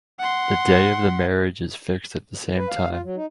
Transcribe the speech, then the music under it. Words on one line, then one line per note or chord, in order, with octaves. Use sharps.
The day of the marriage is fixed at the same time.
F#5 C6
B4
F5
F4
F#3
D#4